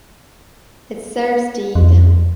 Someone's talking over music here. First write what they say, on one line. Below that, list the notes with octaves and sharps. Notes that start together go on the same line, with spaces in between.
It serves Deeg.
F2